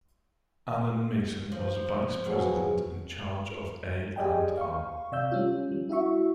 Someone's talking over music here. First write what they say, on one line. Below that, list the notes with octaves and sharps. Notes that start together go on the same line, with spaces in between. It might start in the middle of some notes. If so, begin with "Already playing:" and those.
Allan Mason was Vice President in charge of A and R.
F3
B2 F#3 G#4
G4 G#4 D5 D#5 G5 G#5
F5 C#6
C3 D5 F5 E6 G6
G3 C#4 F4
G3
E4 F#4 E5 C#6